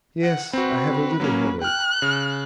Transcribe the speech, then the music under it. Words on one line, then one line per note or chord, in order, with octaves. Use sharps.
'Yes; I have a little headache.'
F#5
C4 F#4 B4
F#3 A#3 C#4
G5 F6 F#6
C#3